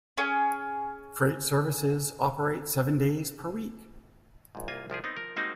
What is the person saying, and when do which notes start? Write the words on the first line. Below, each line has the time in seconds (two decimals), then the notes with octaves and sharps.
Freight services operate seven days per week.
0.18 C#4 G#4
4.55 A#1 G#2
4.68 C2 A#3 F4 G#5
4.90 C2 F3 G4 G#4
5.04 B3 C4 D#4
5.17 F3 A#4
5.36 G3 G#3 A#3 C4 D#4 F#4